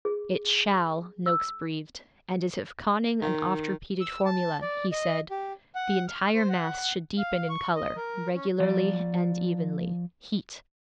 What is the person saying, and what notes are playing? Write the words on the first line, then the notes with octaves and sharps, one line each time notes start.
'It shall!' Noakes breathed; and as if conning an oft-repeated formula, he said, 'The entire mass should deepen in color, regularly and evenly. Heat!
G#4
E6
D#3
E6
A5
D5
D#5
G4
F#5
F6
C5
F#5
F5
C#6
D#5
A#4
C#4
F3 D5